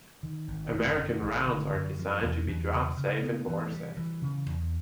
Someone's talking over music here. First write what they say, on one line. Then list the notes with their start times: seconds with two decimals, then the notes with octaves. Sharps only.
American rounds are designed to be drop-safe and bore-safe.
0.23 D#3
0.48 G#1
0.72 F#2
0.98 D#3
1.22 G#1
1.47 D3
1.73 F#2
1.98 F3
2.22 E2
2.47 E2
2.73 C#3
2.97 C#3
3.22 B3
3.48 E3
3.72 G3
3.97 E3
4.22 C#3
4.46 E2